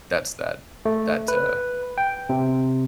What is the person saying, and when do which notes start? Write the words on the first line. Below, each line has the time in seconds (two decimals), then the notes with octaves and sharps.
that's that that's uh
0.85 A3
1.28 B4
1.98 G5
2.29 C3